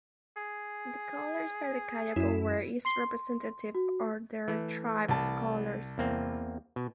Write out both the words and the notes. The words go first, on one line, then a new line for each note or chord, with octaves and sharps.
The colors that the Kayapo wear is representative of their tribes colors.
G#4
F#2 E4
C6 C7 G7
C6
F#4
E3 A3
C2 A5
E2 A#3 C4
B2